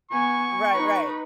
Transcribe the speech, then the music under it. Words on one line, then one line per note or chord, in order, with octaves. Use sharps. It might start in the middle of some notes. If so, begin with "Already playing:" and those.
Right, right.
B3 G#5 C#6
D#4 B4